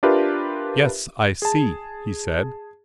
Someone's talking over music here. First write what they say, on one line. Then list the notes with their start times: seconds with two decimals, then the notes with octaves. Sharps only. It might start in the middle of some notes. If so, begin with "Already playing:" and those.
"Yes, I see," he said.
0.03 D4 F4 G4 A#4 B4 E5
1.42 G#4 A5